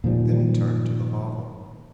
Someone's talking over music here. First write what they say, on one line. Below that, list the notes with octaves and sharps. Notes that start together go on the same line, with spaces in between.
Then he turned to the hovel.
A#2 D#3 F3 G3